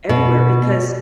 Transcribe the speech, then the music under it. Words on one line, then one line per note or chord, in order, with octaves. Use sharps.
everywhere? Because
B2